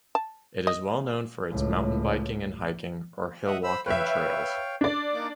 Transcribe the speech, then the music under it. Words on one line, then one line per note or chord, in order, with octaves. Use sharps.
It is well known for its mountain biking and hiking or hillwalking trails.
A5
D#5
C#2 A2
D#5 E5 F#5
C5 B5 E6
B4 C#5 E5 F5 G5
D4 D5
A#3 D#4 D6